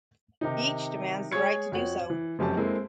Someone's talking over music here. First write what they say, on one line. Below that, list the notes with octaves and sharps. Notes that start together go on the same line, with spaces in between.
Each demands the right to do so.
C3 D#3 D#4
G#3 G#4 C#5 C#6 G#6 C#7
F2 F#4 C#5 F#7
E3
F1 F#2 C#4 G4 A5
G#3 A#3 C4 E4 A4